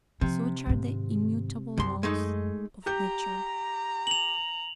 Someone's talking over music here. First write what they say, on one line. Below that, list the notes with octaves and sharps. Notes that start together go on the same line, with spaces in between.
Such are the immutable laws of nature.
C3 F3
G#2 D#3
C2 F#2 C6
G#3 A3 D#4
G4 A#5 G6
F7 F#7